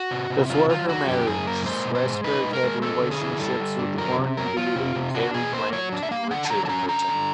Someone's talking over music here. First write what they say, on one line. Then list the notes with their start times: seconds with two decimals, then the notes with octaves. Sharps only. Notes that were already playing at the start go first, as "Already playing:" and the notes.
Before her marriage, Strasberg had relationships with Warren Beatty, Cary Grant, and Richard Burton.
Already playing: F#4
0.11 C3
0.30 C3
0.49 F#3 F4
0.69 F#3 F4
0.88 D3 F#4
1.08 F#2 G4
1.27 F#2 G#4
1.47 A#3 A#4
1.66 G#3 C5
1.85 B2
1.95 C5
2.05 G#3
2.24 D#4 B4
2.43 G#3
2.53 A#4
2.63 G#3
2.82 C4 A4
3.02 D3
3.11 G#4
3.21 E4
3.40 G3 A4
3.60 G3
3.79 D3
3.98 F#3 A#4
4.18 C3
4.37 F#3 A#4
4.57 F#3 F4
4.76 C3
4.95 C3
5.15 D4 F#4
5.34 B2 G#4
5.53 A#3 C5
5.73 F#3 C#5
5.92 D4
6.03 E5
6.11 A#3 F5
6.30 D3 F#5
6.45 A5
6.50 F#3 A#5
6.66 A5
6.69 C#4 A#5
6.89 D3 A#5
7.08 D3